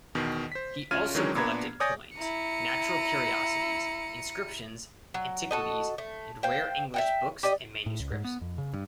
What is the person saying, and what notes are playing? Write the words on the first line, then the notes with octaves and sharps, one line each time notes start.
He also collected coins, 'natural curiosities,' inscriptions, antiquities and rare English books and manuscripts.
E2 B2 D#3
C5 B6
D2 C#4 F4 F6 G#6 D#7
D#3 E3 F#3 G#3 C#4 D4
A#2 B3 D4 A#5 B5 G#6
C#5 D5 G#5 D#6 G6 A#6
E4 A#5 C#7 D#7
F#3
F#4 A4 D#5
A3
C5 F5 G5
E5 F#5 G5
G4 D5 D#5
A2
C#2
G#2
B3
F2
C#3
G2